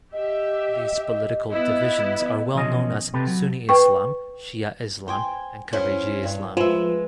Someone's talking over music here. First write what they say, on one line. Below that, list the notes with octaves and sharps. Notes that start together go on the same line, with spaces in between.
These political divisions are well known as Sunni Islam, Shia Islam and Khariji Islam.
G4 D#5 E5
B3 E4 D#5
B2 E3 F3 C#4 D#5
C3 C4 G4 A4 B4
F#3
B4 G5 C#6
C5 G5 G#5
E2 C#4 E4 C5
G2
F3 G#3 B4 E5